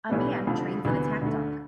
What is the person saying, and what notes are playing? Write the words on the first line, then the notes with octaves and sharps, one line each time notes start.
A man trains an attack dog.
B1 A2 E3 G3 B3
F1 F2 D3 F3 A3
D2 C3 E3 B3
D2 D3 A3